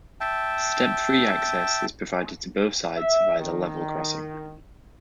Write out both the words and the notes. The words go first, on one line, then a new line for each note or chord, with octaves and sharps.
Step-free access is provided to both sides via the level crossing.
E5 G5 A5
E5
D#3